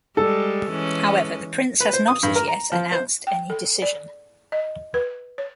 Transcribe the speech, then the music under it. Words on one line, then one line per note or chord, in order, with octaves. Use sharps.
However, the Prince has not as yet announced any decision.
G3 G#3 A4
E3 G#3 C#4
B4
C5
D#6
G2
A#4
A#5
F3
C5
G5
A4
D5
D#5
B4
C#5